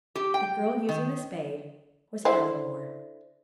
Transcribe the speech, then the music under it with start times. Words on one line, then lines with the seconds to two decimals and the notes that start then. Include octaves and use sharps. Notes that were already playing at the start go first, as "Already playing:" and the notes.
The girl using the spade was Eleanor.
0.15 G4
0.34 G5
0.89 D#3
2.25 D3 E4 C5